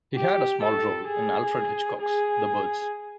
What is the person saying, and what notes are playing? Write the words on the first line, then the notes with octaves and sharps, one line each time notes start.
He had a small role in Alfred Hitchcock's "The Birds".
G4
A4
G#4
G#4